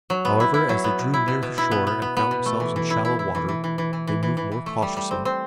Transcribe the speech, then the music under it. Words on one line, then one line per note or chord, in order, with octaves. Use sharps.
However, as they drew near the shore and found themselves in shallow water they moved more cautiously.
F#3
B3
E4
E4
F#3
B3
B2
E4
B2
B2
E4
B3
B3
B3
B3
B2
A3
E3
E3
E4
E4
E4
E3
E3
E3
E3
E3
E3
E3
E3
E3
A3
G3
G3
C4
C4